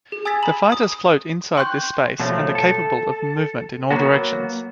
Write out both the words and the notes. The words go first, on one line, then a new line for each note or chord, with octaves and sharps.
The fighters float inside this space and are capable of movement in all directions.
G#4
G#5 D#6 E6 G#6 A6 B6
A#5 B5 F#7
D#6
G5 C6 C#6 F#6 G6
B2 F3 F#3 A3
A4
F#3 A#3 B3 F#4